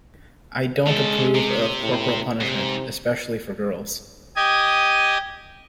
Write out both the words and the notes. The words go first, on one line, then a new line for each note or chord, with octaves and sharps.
I don't approve of corporal punishment, especially for girls.
C#3 G#3 A4
C3
A2
G#2 C3
G4 D#5 G#5 D#6